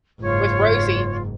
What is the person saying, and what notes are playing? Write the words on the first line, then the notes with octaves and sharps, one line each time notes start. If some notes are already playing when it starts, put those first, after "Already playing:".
with Rosie,
F#1 G#2 F4 C#5